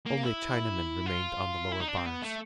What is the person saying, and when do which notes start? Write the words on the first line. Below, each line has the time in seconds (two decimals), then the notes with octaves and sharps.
Only Chinamen remained on the lower bars.
0.06 A#3
0.23 E4
1.06 F4
1.72 E4
1.81 D#4
1.88 D4
1.98 C4
2.06 B3
2.22 A3